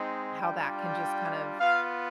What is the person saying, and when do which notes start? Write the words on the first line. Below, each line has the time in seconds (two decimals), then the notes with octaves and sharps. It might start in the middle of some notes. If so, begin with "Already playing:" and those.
how that can just kind of
Already playing: G#3 C4 D#4
0.39 G3 D4 F4 G5
0.69 G5
1.60 B3 F4 F5